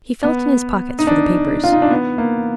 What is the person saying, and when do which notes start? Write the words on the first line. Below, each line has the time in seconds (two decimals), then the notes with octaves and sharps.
He felt in his pocket for the papers.
0.24 B3
0.99 D#4
1.07 D4
1.64 F4
1.72 D#4
1.82 D4
1.91 B3
2.18 A#3